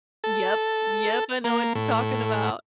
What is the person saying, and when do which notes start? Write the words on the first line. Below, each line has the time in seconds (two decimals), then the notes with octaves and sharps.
Yep. Yep, I know what you're talking about.
0.24 A4
1.44 A#3
1.75 A2